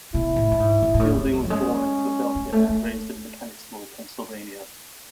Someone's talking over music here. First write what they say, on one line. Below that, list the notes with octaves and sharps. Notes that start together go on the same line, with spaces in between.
Fielding was born in Philadelphia and raised in Mechanicsville, Pennsylvania.
B2 E4
A2
A2
G#2
G#2
G#2
A2
G#3
F#3
F#3
G#3 C#4
G#3
A3
A3